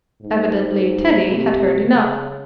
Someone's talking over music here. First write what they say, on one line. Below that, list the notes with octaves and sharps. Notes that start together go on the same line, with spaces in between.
Evidently Teddy had heard enough.
G#2
C3
C#3